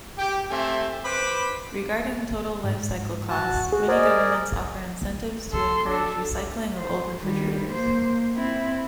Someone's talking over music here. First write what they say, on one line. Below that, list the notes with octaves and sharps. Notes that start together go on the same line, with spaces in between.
Regarding total life-cycle costs, many governments offer incentives to encourage recycling of old refrigerators.
G4 G5
A3 C4 G4 E5 G#5 C6
B4 C5 B5 D6
G#2
F#4 A5
F#4 G#4
G#4 A#4 C5 D5 D#5
A4 C6
D4 A4
C5
D#3 G3
A#3 C5
C4 E4